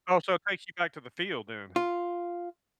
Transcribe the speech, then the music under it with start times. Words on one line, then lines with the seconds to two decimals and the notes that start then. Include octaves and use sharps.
Oh, so it takes you back to the field then.
1.76 F4